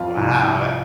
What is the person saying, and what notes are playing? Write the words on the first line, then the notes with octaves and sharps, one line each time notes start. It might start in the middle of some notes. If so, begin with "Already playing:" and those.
Wow, tha
Already playing: F2 F4
C2
C2